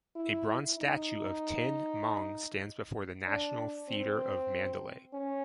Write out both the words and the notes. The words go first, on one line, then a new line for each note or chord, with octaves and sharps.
A bronze statue of Tin Maung stands before the National Theatre of Mandalay.
E4
D#4
D4
C4
C#4